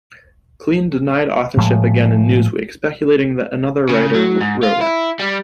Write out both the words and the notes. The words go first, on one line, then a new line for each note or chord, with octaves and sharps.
Klein denied authorship again in "Newsweek", speculating that another writer wrote it.
A2 F3 G#3
C#3
F#3
G#2
F4
E4
G3